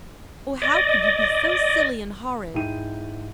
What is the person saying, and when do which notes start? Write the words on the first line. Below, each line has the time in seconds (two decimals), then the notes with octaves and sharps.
Oh, how could you be so silly and horrid?
0.62 D5 D#5
2.54 G#2 E4 G5 D#7